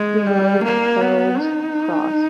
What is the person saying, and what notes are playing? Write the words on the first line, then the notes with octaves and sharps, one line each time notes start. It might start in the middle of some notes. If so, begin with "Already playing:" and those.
Jerome, Harold's Cross.
Already playing: G#3
G3
A#3
B3
D#4